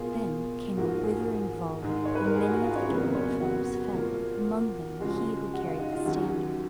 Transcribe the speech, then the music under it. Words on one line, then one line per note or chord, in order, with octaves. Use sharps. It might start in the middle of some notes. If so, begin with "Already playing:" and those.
Then came a withering volley, and many of the gallant fellows fell, among them he who carried the standard.
Already playing: B2 A#3 F4 G#4
G#2 F3 A#3 F#4
G#4
G#2 D#3 G#3
C#5
B4
A#4
G#4
F#4 F#5
F4 F5
C#4 C#5
F2 C#3 F#3 A#3 B3 B4
C#4 C#5
F#4 F#5
A#2 F3 A#3
C#3 F3 G#3 F#4 F#5
F#4 F#5
F4 F5
D#4 D#5
F4 F5
D#2 D#3 F#3 C#4 F#4 F#5